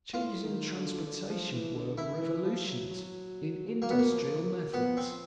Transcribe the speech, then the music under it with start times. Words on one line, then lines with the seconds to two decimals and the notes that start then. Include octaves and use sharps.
Changes in transportation work revolutions in industrial methods.
0.13 A2 F4
0.44 D#3
0.75 D3
1.06 D3
1.29 F3
1.52 E3
1.75 D3
1.98 D#3 E4
2.21 E3
2.44 F3
2.67 F#3
2.90 F#3
3.82 F#3 A#3
3.90 B3
3.99 A#3
4.12 F3
4.43 F#3
4.74 F3 B3
4.97 C4